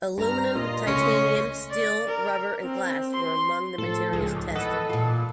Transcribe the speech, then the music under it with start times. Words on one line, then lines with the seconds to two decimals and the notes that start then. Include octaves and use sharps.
Aluminum, titanium, steel, rubber and glass were among the materials tested.
0.18 G2 A#5 F6
0.55 A#2 F4 D#5
0.87 C#2 C#3 A3 C#4 D#5 C6 C#6
1.70 D5
2.07 A#4
2.62 C4
3.13 C6
3.78 A2 F3 A4
4.13 C#2 G#2 G#4
4.55 E3 B3 A4 B4 D#5 F#5 D#6
4.90 A#2 F4